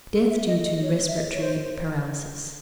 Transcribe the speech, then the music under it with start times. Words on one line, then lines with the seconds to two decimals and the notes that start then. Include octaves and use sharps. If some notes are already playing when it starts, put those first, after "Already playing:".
Death due to respiratory paralysis.
0.13 A4
0.31 E5
0.47 D#5
0.65 D#5
0.82 C#5
1.08 E5
1.17 D#5
1.34 C#5
1.42 C5